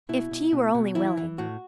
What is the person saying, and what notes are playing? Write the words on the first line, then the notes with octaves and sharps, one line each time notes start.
If T. were only willing!...
B2 E4
B2
B2
B2
E3 E4
E3
A2 F#4